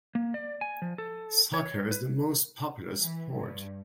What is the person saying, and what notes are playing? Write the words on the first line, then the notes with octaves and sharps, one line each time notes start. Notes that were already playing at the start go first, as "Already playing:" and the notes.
Soccer is the most popular sport.
A#3
D5
G#5
F3
A4
C#5
B4
E3
G2